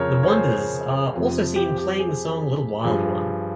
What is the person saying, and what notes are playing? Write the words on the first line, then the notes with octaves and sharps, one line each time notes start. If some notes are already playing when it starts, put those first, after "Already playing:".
The Wonders are also seen playing the song Little Wild One.
Already playing: F2 C#3 F3 G#4 A#4 C5 C#5
C#5
G#4 C5
F2 C3 F3
G4
G4
G#4
G2 F3 G#4